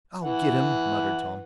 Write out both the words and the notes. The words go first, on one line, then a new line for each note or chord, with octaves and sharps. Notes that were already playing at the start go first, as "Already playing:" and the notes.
"I'll get him!" muttered Tom.
E3 F#5